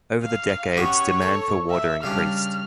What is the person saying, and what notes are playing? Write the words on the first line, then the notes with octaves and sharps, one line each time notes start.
Over the decades, demand for water increased.
F5
B3 C#4 G4 C#5
A4
E5
C#3 G3 D4 F6